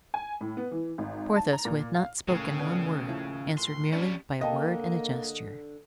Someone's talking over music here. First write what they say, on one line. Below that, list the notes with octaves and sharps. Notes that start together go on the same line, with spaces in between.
Porthos, who had not spoken one word, answered merely by a word and a gesture.
G#5
A2
B3
E3
G#1
A5
A#5
A#2
F5
D#2 A2 C#3
F3 B3 D4
F3 E4
C6
G3 C#4 D4
D3 A#3 D#5 F5 G5 A5